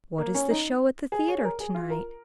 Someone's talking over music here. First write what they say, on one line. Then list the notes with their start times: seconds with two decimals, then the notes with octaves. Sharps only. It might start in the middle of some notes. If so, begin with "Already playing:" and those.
What is the show at the theatre to-night?
0.18 A#3
0.35 C#4
0.51 D#4
1.12 G#4
1.28 C#5
1.39 G#4
1.44 A#4
1.60 G#4
1.74 F4
1.90 A#4